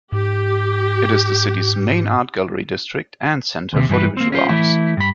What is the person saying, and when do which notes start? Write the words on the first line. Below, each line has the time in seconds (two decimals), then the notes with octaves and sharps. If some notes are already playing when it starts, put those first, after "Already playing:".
It is the city's main art gallery district and center for the visual arts.
0.12 G#2 G4
3.73 D#2 A2 C3
3.89 G2 E3 G#4 B4
4.17 A#3 C4
4.32 C#4 F4 C5
4.48 E3 A3 E4
4.97 G2 B5